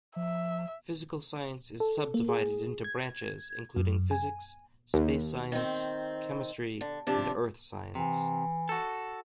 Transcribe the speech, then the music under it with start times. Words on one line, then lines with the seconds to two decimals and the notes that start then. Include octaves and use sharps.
Physical science is subdivided into branches, including physics, space science, chemistry, and Earth science.
0.16 F3 E5
1.80 A4
2.14 A#3
2.29 G#4
2.84 G#6
3.76 F#2
4.11 G#5
4.94 D#2
5.52 D#3 C4
6.81 D3
7.07 C3 F3 D4
7.95 C3 E3
8.69 F#4 A4